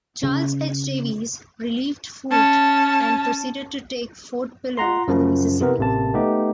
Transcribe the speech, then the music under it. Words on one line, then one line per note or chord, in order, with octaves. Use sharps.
Charles H. Davis relieved Foote and proceeded to take Fort Pillow on the Mississippi.
C#3
C#4 A5
F4 F#5 A#5 C6
F#2 C#3 F3
C3 E3 B3 A#4
A1 C3 A#3 A5
A3 B3 D#4 G4